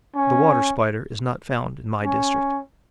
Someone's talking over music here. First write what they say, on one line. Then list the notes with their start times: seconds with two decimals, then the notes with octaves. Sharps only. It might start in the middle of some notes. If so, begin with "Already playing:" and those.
The Water Spider is not found in my district.
0.16 C#4
2.04 C#4